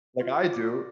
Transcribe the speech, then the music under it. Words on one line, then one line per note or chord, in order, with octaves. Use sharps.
Like I do.
F4
F4
D5
F#4